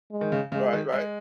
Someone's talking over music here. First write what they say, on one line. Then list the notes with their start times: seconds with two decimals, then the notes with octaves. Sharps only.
Right, right.
0.11 G#3
0.21 D#3
0.32 C#3
0.52 C#3 G#3
0.73 D#3
0.93 G#3